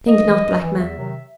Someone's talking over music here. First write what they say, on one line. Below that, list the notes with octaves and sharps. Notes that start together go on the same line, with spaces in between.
Think not black man.
G2 D#5
E3
G2
E3
E2 E5
C3 D#3 F#3